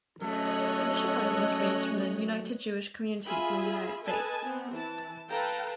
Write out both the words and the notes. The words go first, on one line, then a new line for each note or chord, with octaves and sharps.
Initial funding was raised from the United Jewish Communities in the United States.
F#3 A3 C#4 A4 C#5 D#5 F#6
F4 G#4 E5 G#5 B5
A4 B4 D#5 G#5 A5
B3 C4
E3 A5
A4 B4 F5 G5 A5 A#5